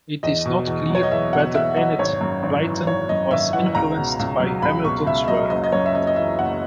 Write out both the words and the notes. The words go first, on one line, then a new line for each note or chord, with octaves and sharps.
It is not clear whether Enid Blyton was influenced by Hamilton's work.
E2 D#5
B2
E2
F#3 C#5
D#5
E2 E5
B2 F#5
E2 E5
F#3 D#5
G#1 C#5
F#2
G#1
E3
G#1 C#5
F#2 D#5
G#1 E5
E3 F#5
C#2 A#5
B2
C#2
F#3
C#2 B5
B2 C#6
C#2 E5
E5
F#3 D#5
F#1 D#5
D#5
F#2 C#5
E5
F#1 D#5
D#5
E3 E5
F#1 F#5